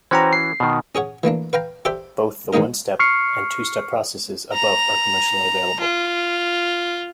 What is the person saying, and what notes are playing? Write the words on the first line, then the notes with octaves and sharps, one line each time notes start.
Both the one-step and two-step processes above are commercially available.
E3 C#4 F#4 C5 G5 A#5
C7
B2 D#3
C#4 G#4 C#5 F#5
E3 A3 A#3 D4
B4 F5 G5 A#5
G4 A4 C5 D5 E5 G5
A2 D#3 G#3 A#3 D#4 A#4
C#6 F6 C7 C#7
A#5
F4